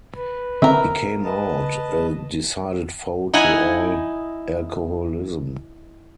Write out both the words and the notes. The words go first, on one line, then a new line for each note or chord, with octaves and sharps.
He came out a decided foe to all alcoholism.
B4
D3 C4 A#4 E5
B4 D#5 A5
D#4 E4 D#5 F#5 G#5